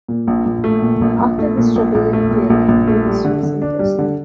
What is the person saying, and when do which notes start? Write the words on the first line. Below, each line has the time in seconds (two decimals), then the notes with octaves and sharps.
After this rebellion failed, Reyes was imprisoned.
0.08 A#2
0.27 A#1
0.46 A#1
0.64 A3
0.82 A#2
1.01 A#1
1.19 A#1
1.39 A3
1.58 A#2
1.76 A#1
1.95 A#1
2.13 A3
2.31 A#2
2.50 A#1
2.68 A#1
2.87 A3
3.06 G3
3.25 D3
3.43 D3
3.62 D4
3.79 G3
3.99 D3